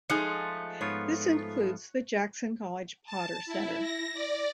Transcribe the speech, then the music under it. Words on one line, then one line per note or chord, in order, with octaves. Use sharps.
This includes the Jackson College Potter Center.
F3 G#3 A3 D#4 G#4 F#6 C#7
G#2 B3 F4 C#5
A5
E4
A#6
D5